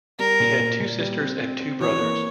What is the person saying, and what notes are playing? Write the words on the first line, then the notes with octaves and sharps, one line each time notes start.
He had two sisters and two brothers.
G3 A#4
A#2
A#2
A#2
G3
C4
C4
C4
E3 C#5
A#3